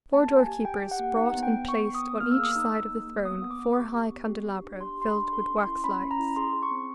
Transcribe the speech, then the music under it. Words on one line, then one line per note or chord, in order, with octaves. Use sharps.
Four doorkeepers brought and placed on each side of the throne four high candelabra filled with wax-lights.
A#3 A5
G4
G#5
G4
G4 G5
G4
F#5
A#3
D#4 F#5
B3
G5
B3
B3 C#6
B3
D#6
B3
A#3 F6
E6
G#4 D#6
D#4 E6
D#4
A#3
A#3
B3 D#6
B3
D6
B3
G4 C#6
G4
B3
G4
G4
D4
G4 C6
G4 C6
B5
D4
A4 C6
C#4
C6
E4
C#4 B5
C#4
A#5
E4
G#4 C6
G#4
C#6
C4